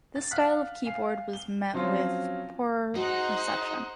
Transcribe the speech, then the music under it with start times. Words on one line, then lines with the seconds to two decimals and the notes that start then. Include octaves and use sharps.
This style of keyboard was met with poor reception.
0.16 A6
0.31 F5 F#5 F6 F#6 B6
0.86 F5 G#5 C7
1.33 G7
1.74 F3 F#3 C4 C#4 F4
2.95 D#4 F#4 G#4 C5 F#5